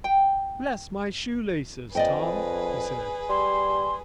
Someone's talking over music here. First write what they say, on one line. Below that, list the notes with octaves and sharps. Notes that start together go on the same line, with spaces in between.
"Bless my shoe laces, Tom," he said.
G5
F2 G#4 B4 D5 D#5 G5
G3 C6